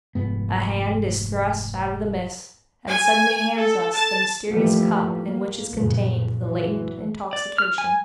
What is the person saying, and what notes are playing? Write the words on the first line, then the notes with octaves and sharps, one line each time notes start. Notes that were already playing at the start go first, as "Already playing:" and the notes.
A hand is thrust out of the mist, and suddenly hands us the mysterious cup in which is contained the latent intoxication.
F1 G#2 B3
G#5
A4
A5
E3 F3 G3 A3 A#3
A#3
F#1 B1 F2 A#2 C#3
E3 F#3
D5
F6
G#5